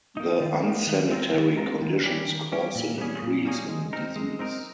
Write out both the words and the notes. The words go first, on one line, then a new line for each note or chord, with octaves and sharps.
The unsanitary conditions caused an increase in disease.
A#3 D#4
D#3
A#3 D#4
D#3
G#3 C4 F4 A#4
D#3
G#3 C4 F4 A#4
D#3
G3 C#4 G4
D#3
G3 C#4 G4
A#2
G3 A#3 C#4 G#4
A#2
G3 A#3 C#4 G#4
G#3
C4 D#4 A#4
G#3
C4 D#4 A#4